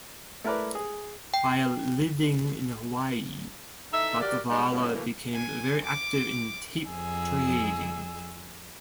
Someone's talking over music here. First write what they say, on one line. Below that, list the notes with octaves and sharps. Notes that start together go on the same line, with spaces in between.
While living in Hawaii, Latvala became very active in tape trading.
A3 E4 A#4 B4 D5
G#4
G5
E3 D#4 A4 E5
F#4 G4 A#4 D5
G3 G#3 D#4
F2 A2 C#3 G3 A#3 B3
B2 E3 A3 A#3
G#5
D6
F2 G#4 E6